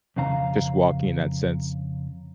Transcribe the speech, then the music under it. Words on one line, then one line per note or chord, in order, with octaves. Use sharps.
just walking in that sense
F2 C#3 F5 A#5